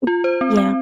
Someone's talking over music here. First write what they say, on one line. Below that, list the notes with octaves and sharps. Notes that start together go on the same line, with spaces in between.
M Yeah.
F4
C5
C4
C4